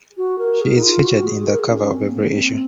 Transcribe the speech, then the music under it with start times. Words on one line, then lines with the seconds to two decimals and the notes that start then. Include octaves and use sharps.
She is featured in the cover of every issue.
0.17 F#4
0.38 A#4
0.61 G#4
0.76 D#4
0.82 F4
1.04 F#4
1.26 G#4
1.48 A#4
1.59 G#4
1.70 C#4
1.81 C#4
1.91 C4
2.07 A#3
2.29 C#4
2.36 C4